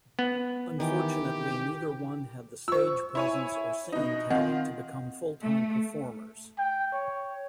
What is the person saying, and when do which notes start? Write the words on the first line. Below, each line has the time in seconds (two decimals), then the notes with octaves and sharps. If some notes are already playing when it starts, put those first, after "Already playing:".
Unfortunately neither one had the stage presence or singing talent to become full-time performers.
0.19 B3
0.80 D#3 E3 G4 G5
2.68 F4 C5 C#6 E6
3.15 E4 C#5 G#5
3.92 B2 D#4
4.30 D#3 C4 F4 D#5 F#5
5.43 A3
6.59 G5
6.93 C#5